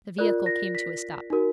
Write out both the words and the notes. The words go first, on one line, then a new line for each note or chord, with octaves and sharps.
The vehicle came to a stop.
F4 A#4 D5 F#6
A#6
B6
D#4 F#4 A#4